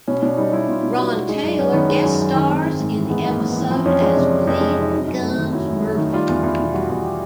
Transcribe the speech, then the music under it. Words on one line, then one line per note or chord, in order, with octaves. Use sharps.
Ron Taylor guest stars in the episode as Bleeding Gums Murphy.
B2 C#4
B2 D4
G3 D#4
G3 E4
B2 F4
B2
G3 F#4
G3
G#3 D#4
F#2 D4
F#2 C#4
D#3 B3
G#3
F#2
F#2
D#3
G#3 C4
G#2
G#2
E3
G#3 B3
G#2
A#3
G#2
B3
E3
F3 C4
F2 C#4
G#3 D4
C3 D4
F3
F2
G#3
C3
F#3 D#4
F#2
A3
D#3
F#3 E4
F#2
A3
D#3
G3 F4
E2
E2
B2
G3 F#4
E2
G4